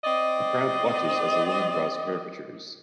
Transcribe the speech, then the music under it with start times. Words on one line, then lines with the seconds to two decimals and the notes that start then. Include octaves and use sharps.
A crowd watches as a woman draws caricatures.
0.03 C4 D5 D#5